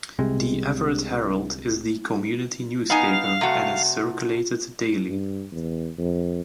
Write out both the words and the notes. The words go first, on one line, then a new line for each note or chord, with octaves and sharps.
The Everett Herald is the community newspaper and is circulated daily.
C2 C3 G#3
B3 D#4 F5 G#5
C3 A3 F#4
G2
E2
F2